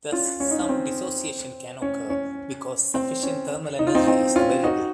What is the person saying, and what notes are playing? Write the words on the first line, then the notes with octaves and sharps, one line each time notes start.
Thus some dissociation can occur because sufficient thermal energy is available.
C#4 F4
C#4
D#4
C#4
C4
C#4
C#4
C4
C#4
D#4
F4
C4 D#4
C4 D#4
C#4 F4
D#4 F#4